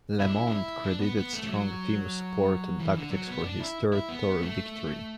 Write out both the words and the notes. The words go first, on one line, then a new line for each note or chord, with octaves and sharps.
LeMond credited strong team support and tactics for his third Tour victory.
E4
D4
E4
D4
E4
D4
B3
B3
A3
A3
F#3
E3
D3
F#3
B3
D4
E4
E4
B3
A3